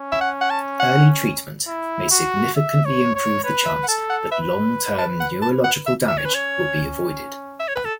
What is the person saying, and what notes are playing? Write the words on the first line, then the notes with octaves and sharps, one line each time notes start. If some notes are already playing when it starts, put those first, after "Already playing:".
Early treatment may significantly improve the chance that long-term neurological damage will be avoided.
Already playing: C#4
E5
F#5
F#5
A5
F#5
E4
F#4
E5
C#5
C#5
B4 C#5
E5
F#5
A4 A5
F#5
B4 E5
A5
F#5
A5
F#5
E5
C#4 E5
C#5
B4
C#5
E5
C#5
B4
A4